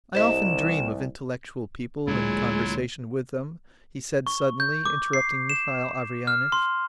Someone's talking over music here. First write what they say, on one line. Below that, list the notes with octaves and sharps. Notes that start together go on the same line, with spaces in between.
"I often dream of intellectual people and conversation with them," he said suddenly, interrupting Mihail Averyanitch.
C2 C5 D#5 E7
D2 A#2 D3 F#3 G#3 E4 F4
C#6
G6
D6
C7
E7
F6
C6